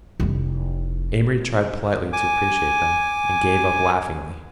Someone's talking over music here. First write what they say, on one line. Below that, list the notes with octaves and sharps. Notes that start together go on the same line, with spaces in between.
Amory tried politely to appreciate them, and gave up laughingly.
F1 E4
G#5 D6